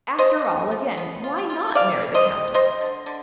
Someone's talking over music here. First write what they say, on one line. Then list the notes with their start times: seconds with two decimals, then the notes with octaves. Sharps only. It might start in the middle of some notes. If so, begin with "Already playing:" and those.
After all, again, why not marry the Countess?
0.18 F3 C5 D#5
0.45 B3
0.71 F3
0.97 B3
1.24 F4
1.49 F4
1.75 G3 D5 F5
2.02 G3
2.14 C5 D#5
2.28 G3
2.54 G3 C5 D#5
2.81 D3
3.06 D3